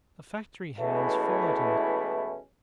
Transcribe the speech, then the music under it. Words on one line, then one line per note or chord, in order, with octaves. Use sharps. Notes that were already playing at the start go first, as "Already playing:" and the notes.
The factory hands followed him.
B2 E3 G#3 A3 C#4 E4